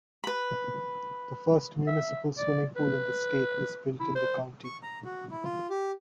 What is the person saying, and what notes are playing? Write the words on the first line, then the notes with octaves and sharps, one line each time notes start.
The first municipal swimming pool in the state was built in the county.
B4 B5
E5
D5
B4
E4
C5
C#6
A#5
F#4
E4
F4
G4